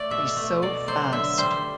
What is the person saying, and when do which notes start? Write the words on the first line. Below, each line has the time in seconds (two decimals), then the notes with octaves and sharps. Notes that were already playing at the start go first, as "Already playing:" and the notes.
He's so fast.
Already playing: A3 D5
0.10 B2 E5
0.37 A3
0.62 B2 D5
0.88 F#3 C5
1.12 D3 E5
1.37 G3 C5